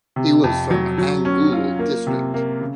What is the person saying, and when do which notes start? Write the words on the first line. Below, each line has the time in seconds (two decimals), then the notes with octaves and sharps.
He was from Angul district.
0.16 C3
0.44 F2
0.71 F#3
0.98 F#3
1.25 C#4
1.53 F4
1.79 A#3
2.07 C3
2.34 A#3
2.61 C#3